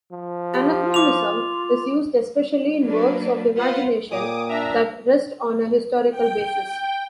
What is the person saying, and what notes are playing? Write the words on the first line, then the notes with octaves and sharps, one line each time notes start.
Anachronism is used especially in works of imagination that rest on a historical basis.
F3
G4
F4 D6 F7
F#3 A#3 D4 B4
F4 B4 C5 F#5
A#2 A#3 C#5 G5 D6 D#6
D4 E5 A#5
G5